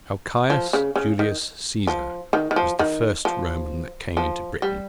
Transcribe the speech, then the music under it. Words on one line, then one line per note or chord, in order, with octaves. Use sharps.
How Caius Julius Caesar was the first Roman that came into Britain.
F3
C#3
C#3
D#3
F3
D#3
D#3
F3
D#3
F3
F3
G3